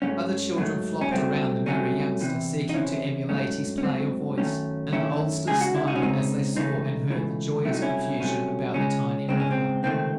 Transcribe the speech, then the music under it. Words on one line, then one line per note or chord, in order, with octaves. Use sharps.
Other children flocked around the merry youngster, seeking to emulate his play of voice and the oldsters smiled as they saw and heard the joyous confusion about the tiny reveler.
G#2 F#3 A3 C#4
G#2 F#3 A3
C#4
C2 C3 F#3 A3 C4
C2 C3 F#3 A3 C#4
E2 C3 E3
D#4
E2 C3 E3 C#4 E4
G#2 F#3 A3 C#4
C#4
G#2 F#3 A3 C4
F#2 D#3 A3 C#4
F#2 D#3 A3 C#4 E4
C#2 C#3 G#3 G#4
F#4
E4
D#4 F#4
C#4
C#2 C#3 G#3 C4 D#4
C#2 C#3 E3 A3 C4 D#4
C#2 C#3 E3 A3
C2 C3 F#3 A3 E4
D#4
C#4 E4
C2 C3 F#3 A3 C#4
C#2 C#3 G#3 C#4
C#2 C#3 G#3 C4
C#4
C4
C#2 C3 D#3 A3 C4